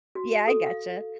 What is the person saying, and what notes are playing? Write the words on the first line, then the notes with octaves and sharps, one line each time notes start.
Yeah, I gotcha.
F#4
A4
F5